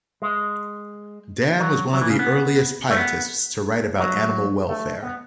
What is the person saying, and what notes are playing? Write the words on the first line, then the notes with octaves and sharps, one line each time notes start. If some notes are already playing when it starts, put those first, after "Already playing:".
Dann was one of the earliest Pietists to write about animal welfare.
G#3
F#3
F#3
E3
C#3
B3
A3
B3
F#3
A3
B3